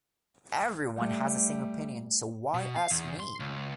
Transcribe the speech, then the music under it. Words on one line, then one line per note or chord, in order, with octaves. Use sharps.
Everyone has the same opinion, so why ask me?
G3 A3
B2
F5
E2
C6
C#2